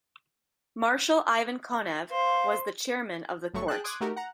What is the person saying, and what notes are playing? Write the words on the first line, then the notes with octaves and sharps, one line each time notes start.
Marshal Ivan Konev was the chairman of the court.
C5 F5
G1 F#3 A3 C#6
G#4 G5 A5 F#6
C6 D6 D#6 F#6 G#6
A3 D#4 F#4 G4 A#4
F#5 A#5